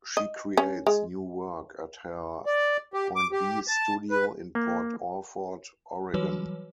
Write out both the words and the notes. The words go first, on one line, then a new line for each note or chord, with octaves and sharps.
She creates new work at her Point B Studio in Port Orford, Oregon.
D#5
C#4
G#3
D5
G4
D6
G4
A5
B4
A#3
E3 F#3 G3 F#4 B4 C#5